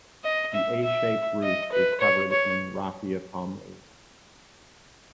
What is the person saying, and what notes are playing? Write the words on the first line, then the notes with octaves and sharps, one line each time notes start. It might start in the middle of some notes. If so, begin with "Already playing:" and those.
The A-shaped roof is covered in raffia palm leaves.
D#5
E5
E5
D#5
B4
C#5
C#5